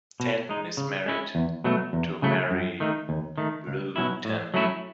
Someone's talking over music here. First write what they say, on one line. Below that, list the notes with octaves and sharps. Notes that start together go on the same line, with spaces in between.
Tanton is married to Mary Lou Tanton.
B2
G#3 D#4
C#3
G#3 C#4 E4
E2
B2 F#3 A3
E2
C#3 F#3 A3 E4
F#2
D#3 A3 D#4
D#2
D#3 A3
C#2
B2 F#3 C#4 E4
A2
F#3 A3 C#4 E4